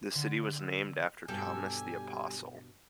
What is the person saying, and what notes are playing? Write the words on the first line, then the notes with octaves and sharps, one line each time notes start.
The city was named after Thomas the Apostle.
D3
E6
G2 B2 G3 G4 A4 G#5